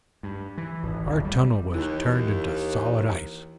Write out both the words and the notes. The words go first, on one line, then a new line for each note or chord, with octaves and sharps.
Our tunnel was turned into solid ice.
G2
E3
G#1
D1
G3
D#2 E3